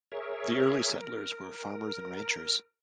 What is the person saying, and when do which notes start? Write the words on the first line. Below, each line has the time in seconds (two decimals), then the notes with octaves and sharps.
The early settlers were farmers and ranchers.
0.12 G#4 A#4 C#5 E5
0.94 A#4